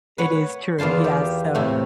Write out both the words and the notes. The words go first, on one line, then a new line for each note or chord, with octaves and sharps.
It is true. Yes, so
B4 C#5 F#5
E2 A#3 F4 A5 C6
G4
A2 C3 A3